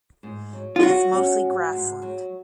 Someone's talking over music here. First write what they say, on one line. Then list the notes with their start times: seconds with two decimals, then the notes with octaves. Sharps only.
It is mostly grassland.
0.23 G#2
0.53 F#3
0.76 F4
0.82 F#3 F#4
1.13 C#4
1.42 G#2
1.72 G#2
2.02 F#3